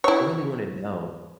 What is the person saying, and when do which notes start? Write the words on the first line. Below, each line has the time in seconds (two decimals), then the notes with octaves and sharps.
I really wanna know,
0.04 E4 C#5